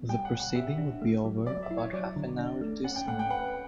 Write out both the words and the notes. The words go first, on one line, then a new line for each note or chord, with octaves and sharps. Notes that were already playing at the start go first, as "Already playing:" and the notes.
The proceeding would be over about half an hour too soon.
Already playing: B3
G3 G5
F#5
B2
F#5
G4 E5
D4
A3
F#3
F#3 D5
E5
E4
C#5
F#3 D5
D3
D4
A3
C#4 F#5
G5
A3 F#5
G5
B4 F#5